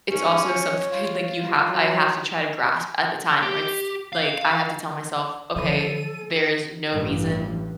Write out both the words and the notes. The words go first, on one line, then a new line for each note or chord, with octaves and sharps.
it's also something, like, you have I have to try to grasp at the time where it's like, I have to tell myself, "Okay, there is no reason
G#2 C#4
C#5
F4
F#3
G4
F5
D3 E3 F3 A4 B5 D#7
A1 G2